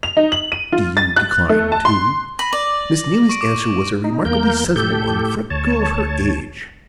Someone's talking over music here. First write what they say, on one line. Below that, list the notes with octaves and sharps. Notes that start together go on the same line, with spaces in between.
Do you decline too?' Miss Neelie's answer was a remarkably sensible one for a girl of her age.
F7
D#4
F#7
D#7
F4
A6
F#6
A3
A5
C6
B5 A#6 D#7 F#7
D5
C#6 D7
D6
D#4
E2 A#3 A#4 G6
A2 G4 A4 G6
D2 C#5 A5